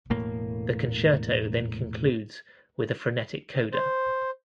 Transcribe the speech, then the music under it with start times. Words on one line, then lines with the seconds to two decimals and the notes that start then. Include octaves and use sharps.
The concerto then concludes with a frenetic coda.
0.10 E1 A2 A#3
3.73 C5